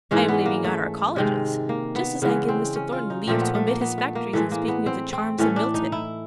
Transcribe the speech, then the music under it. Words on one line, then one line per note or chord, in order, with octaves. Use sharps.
I am leaving out our colleges, just as I give Mr. Thornton leave to omit his factories in speaking of the charms of Milton.
G#2 E3 G#3 C#4
B3
A#3
A3
C3 D#3 G#3
A#3
B3
C#3 E3 G#3 B3
C4
C#4
F4
D#4
A#2 F3 A3 C4
B3
A3
A#3
B3
A3
A#3
A2 E3 G#3 A3
A#3
B3
C4
C4
A2 E3 A3 C#4
D4
D#4
E4